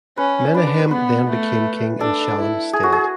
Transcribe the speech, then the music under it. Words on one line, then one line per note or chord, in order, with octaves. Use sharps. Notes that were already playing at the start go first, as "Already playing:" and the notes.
Menahem then became king in Shallum's stead.
C#4 B4
D4 B4
B4
B4
B3 B4
A3
D4 A4
E4
G#4
F#4
G#4